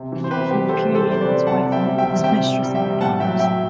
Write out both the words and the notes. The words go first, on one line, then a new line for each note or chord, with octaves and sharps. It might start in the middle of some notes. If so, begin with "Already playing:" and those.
He repudiated his wife and lived with his mistress and their daughters.
Already playing: C3
E3
C5
C3 G4 B4
G3 G4 B4
C3 A4 C5
E3
A4 C5
C3 C5
B4 D5
G3
C3 F#5 A5
G3
E5 G5
G3
E5 G5
C3
C3 E5 G5
G3
G3
E5 G5
C3
A2 F#5 A5
F#3 E5 G5
F#3 E5 G5